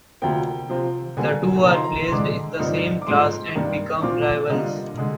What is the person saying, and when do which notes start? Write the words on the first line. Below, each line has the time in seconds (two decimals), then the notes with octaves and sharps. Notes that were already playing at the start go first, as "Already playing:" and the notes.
The two are placed in the same class and become rivals.
0.22 D2 C3 F3 A#3 G5
0.69 C3 F3 C4 F4
1.17 D3 G3 A#3 G#5
1.65 D3 F3 A#3 D#4 A#5
1.74 C6
1.84 A#5
2.07 C6
2.12 D3 G#3 D4 D6
2.59 G2 D3 F3 C4 D#4
3.02 D6
3.07 G#2 F3 G#3 C6
3.55 G2 D#3 A#3 D4
4.02 A#2 F3 C4 F4 D6
4.22 D6
4.50 D3 G3 A#3 D4 F4 D#5
4.97 D3 G#3